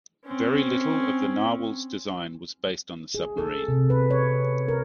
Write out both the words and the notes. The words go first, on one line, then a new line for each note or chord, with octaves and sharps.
Very little of the "Narwhal"s design was based on the submarine.
C4 C#4
G#4
A4
C3
B4
C#5
A#4